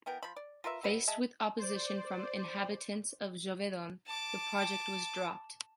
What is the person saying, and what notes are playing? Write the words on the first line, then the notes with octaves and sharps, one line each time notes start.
Faced with opposition from inhabitants of Gévaudan, the project was dropped.
E3 B3 A#4 G5
F3 B5
D5
F4 A#4 B4 E5
F#4 B4 D#5
G#3 E5 A5
C5 D5
A5 D6